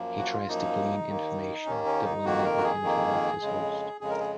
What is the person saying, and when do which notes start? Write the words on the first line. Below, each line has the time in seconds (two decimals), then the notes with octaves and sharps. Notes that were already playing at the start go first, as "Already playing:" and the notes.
He tries to glean information that will enable him to rob his host.
Already playing: F#2 F3 A#3
0.18 F#4
0.33 F4
0.48 F#2 F3 A#3 D#4
1.08 D#2 D#3 A#3
1.66 D#2 D#3 A#3 C#4
1.85 C#4
2.05 D#4
2.24 F2 D#3 A#3 F#4
2.44 A#4
2.58 F#4
2.64 G#4
2.83 F2 D#3 A#3
3.42 F2 C#3 G#3
4.01 F2 C#3 G#3 G#4
4.10 A#4
4.20 G#4